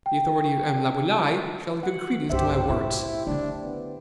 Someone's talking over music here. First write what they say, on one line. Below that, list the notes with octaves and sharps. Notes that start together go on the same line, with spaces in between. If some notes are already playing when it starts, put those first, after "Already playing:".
The authority of M. Laboulaye shall give credence to my words.
G5
F#5
C2 G2 G4 C5 E5
A2 E4
D3 A3 D4
B3